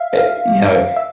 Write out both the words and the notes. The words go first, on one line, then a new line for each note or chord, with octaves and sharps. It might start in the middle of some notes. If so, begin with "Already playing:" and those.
uh, you know, it
Already playing: E5 F5
F5
E5